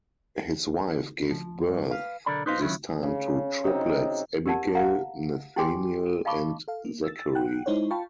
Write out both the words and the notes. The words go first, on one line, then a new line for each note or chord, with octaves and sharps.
His wife gave birth this time to triplets Abigail, Nathaniel and Zachary.
F3
G2
B4 F5
B1 D3 A4 A#4 D5 B5
D#4 B4 C5 D#5 F5
D#3 F#3 A3 C#4 E4 F4
C#3
C3 F#3 D#4
G4 A#4 D5 F#5 A5
F5 F#5 A#5
E4 G4 G5 G#5 C6 D6
D#5 F5 A5 B5 C#6 D6
A4 F5
A#3
E6 A6
F#5 G5 F#6
G#3 D#4 E4 C5 C#5
F4 F5 G5 A5 B5 C#6